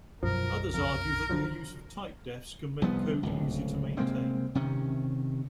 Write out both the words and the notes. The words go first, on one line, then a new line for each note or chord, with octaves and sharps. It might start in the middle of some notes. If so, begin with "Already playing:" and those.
Others argue that the use of typedefs can make code easier to maintain.
B1 F#2 F3 A#4
F2 A#4
D3 F3 F#3
C2 F3 B3
D1 C#2
C3 G#3 A#3 C4
C3 D#3 C#4